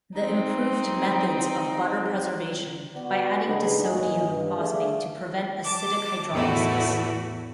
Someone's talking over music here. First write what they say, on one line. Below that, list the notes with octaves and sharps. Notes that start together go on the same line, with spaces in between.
The improved methods of butter preservation, by adding disodium phosphate to prevent acidic hydrolysis.
C4 D#4
B3 F#4 D5 F#5
C#3 D4 D#4 G#4 A4 B4
G#1 A#2 F#3 F4 D#5 G#5
G2
A3 D4 G#4 D5 E5 F5
A5 D6
E2 A2 E3 A3 E4 F#4